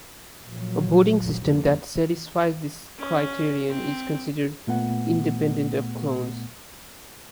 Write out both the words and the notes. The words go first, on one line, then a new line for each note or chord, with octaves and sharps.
A voting system that satisfies this criterion is considered "independent of clones".
A#2 F3 F#3
F1 D3 A#3
C#4
C4
A#2 A3 B3 F#5